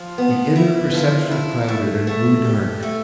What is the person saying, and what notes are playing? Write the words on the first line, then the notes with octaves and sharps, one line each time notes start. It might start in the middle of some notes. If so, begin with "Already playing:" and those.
The inner perception clouded and grew dark.
Already playing: F3
B3
E4
F3
E4
A3
A3
G4
A3